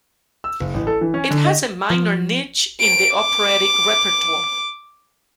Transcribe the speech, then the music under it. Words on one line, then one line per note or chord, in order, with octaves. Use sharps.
It has a minor niche in the operatic repertoire.
E6
F#1
A1
A4
E3
C#4
D3
D#5
F3
D7
D6